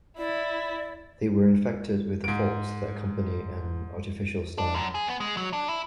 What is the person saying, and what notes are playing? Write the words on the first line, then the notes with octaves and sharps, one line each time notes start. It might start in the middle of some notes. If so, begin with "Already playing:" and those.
They were infected with the faults that accompany an artificial style.
E4 D5
G#2 D7
D4
F#2
G#4
B3
G#3
F#3
D4
E4